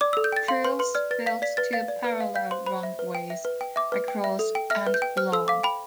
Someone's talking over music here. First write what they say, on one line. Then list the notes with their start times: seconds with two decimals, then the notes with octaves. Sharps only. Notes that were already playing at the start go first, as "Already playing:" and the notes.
Crews built two parallel runways, across and long.
0.01 D5 D6
0.13 A4 E6
0.24 G6
0.32 G5 A6
0.48 F5 C6
0.64 B4 C6
0.79 B4 C6
0.95 D5 F6
1.11 B4 A6
1.26 F5 B6
1.42 D5 B6
1.57 B4 A6
1.73 F5 A6
1.88 D5
2.04 B4
2.20 F5
2.36 F5 G6
2.51 C5 C6
2.67 C5 B5
2.83 E5
2.99 B4
3.15 G5
3.30 E5
3.45 B4
3.61 G5
3.76 E5 D6
3.92 B4
4.08 G5
4.24 E5
4.39 A4
4.55 G5
4.70 E5 F6
4.87 B4
4.94 G6
5.02 G5
5.17 C5 F6
5.32 A4 E6
5.48 F5 D6
5.63 G5 B5